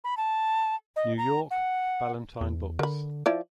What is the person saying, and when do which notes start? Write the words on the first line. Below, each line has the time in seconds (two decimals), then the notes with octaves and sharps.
New York: Ballantine Books.
0.04 B5
0.17 A5
0.96 D#5
1.18 A#5
1.51 F#5
2.41 E2
2.79 D3 A#4 B5
3.26 F3 E4 D5